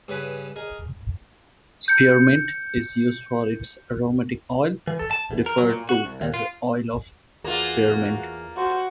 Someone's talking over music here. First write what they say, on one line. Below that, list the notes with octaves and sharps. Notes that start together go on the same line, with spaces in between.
Spearmint is used for its aromatic oil, referred to as oil of spearmint.
G2 C#3 B4 G#5
G#4 A#4 D#5
G6 C#7
E3
A4
A5
E2
A#4
F#3
A#2
F#4
C2
D#2
F4
E2 A#3 F4 F#4 G#4 D5
F#4 C5